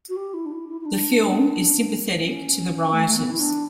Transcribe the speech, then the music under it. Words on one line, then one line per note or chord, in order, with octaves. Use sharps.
The film is sympathetic to the rioters.
F#4
G4
E4
D4
E4
E4
E4
D4
C#4
A3
A3
B3
E4
D4